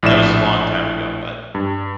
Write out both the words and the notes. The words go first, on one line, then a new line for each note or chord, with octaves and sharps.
That was a long time ago, but,
A#1 A2 D5 E5 E7
G2